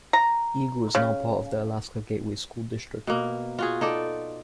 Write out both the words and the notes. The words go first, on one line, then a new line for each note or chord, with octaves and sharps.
Eagle is now part of the Alaska Gateway School District.
A#5
C#3
B2 A#3
F4 F#4 G#4
D#4 A4 D5